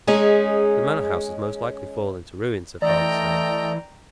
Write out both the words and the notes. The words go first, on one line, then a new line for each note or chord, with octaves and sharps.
"The manor-house has most likely fallen to ruin!" said Father Snail.
G#3 C#4 D#4 G#4
E3 A3 A4 D5 D#5 G5 A#5